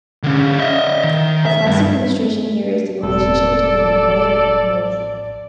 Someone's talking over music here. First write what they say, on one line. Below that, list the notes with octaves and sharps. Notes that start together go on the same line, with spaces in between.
A classic illustration here is the relationship between an employer and employee.
D3 C#4
D#5 E5
D#3
E5
G2
E1 A1 G#3 C4 A4 D5